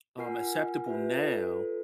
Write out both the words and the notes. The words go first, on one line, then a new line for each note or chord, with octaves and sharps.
um, acceptable now
F4 A#4 F#5 G#5 F6 C7
F4 G4 B4 E5
F4 A4 B4